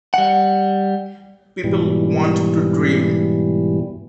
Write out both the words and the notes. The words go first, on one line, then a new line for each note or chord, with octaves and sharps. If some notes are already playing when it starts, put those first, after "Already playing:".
People want to dream.
G3 F#5
G#2 B2 E3 G3